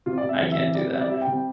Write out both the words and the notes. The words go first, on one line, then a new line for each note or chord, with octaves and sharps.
I can't do that.
C3 F4
D5
C3
E5
E3
E5
C3
E5
G3 D5
C3 E5
D5
G3 E5
G5
C3
G5